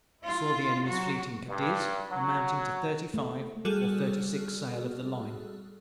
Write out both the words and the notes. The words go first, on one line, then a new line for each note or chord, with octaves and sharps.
Saw the Enemy's Fleet in Cadiz, amounting to thirty-five or thirty-six sail of the line.
E4 F4
F#3 F#4
G2
F#3
A3
G3 F#4 G#4 A4 F6 F#6